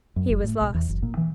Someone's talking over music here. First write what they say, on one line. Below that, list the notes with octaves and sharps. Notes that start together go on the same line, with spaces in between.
He was lost.
F#2
F#1
A2
B1
E2
F#1
A#2
E3